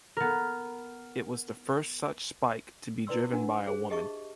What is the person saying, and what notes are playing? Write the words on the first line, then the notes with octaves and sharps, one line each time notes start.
It was the first such spike to be driven by a woman.
B3 A#4
E4 B4 D5 C6 E6
D4 F#4 F#5
G#4 C5
G4 G#4 D#5 E5 A5 C#6